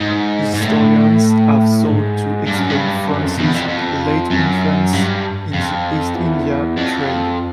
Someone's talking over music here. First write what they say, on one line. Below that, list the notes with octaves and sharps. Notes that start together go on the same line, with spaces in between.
Historians have sought to explain France's late entrance in the East India trade.
G#2
G#2
A2
G#2
G2
F#2
G2
F#2
F2
E2
F2
F2
F#2
G2
F2
E2
F2